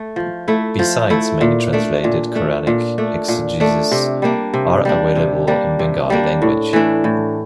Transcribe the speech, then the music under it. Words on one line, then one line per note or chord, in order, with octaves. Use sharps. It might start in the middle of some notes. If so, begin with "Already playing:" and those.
Besides many translated Quranic exegesis are available in Bengali language.
Already playing: A3
F3
A3 E4
F3
A3 E4
A#2
A3 D4
A#2
A3 D4
A#2
A3 D4
A#2
A3 D4
C3
G3 A#3 D4
C3
G3 A#3 D4
C3
G3 A#3 D4
C3
G3 A#3 D4
A2
E3 A3 D4
A2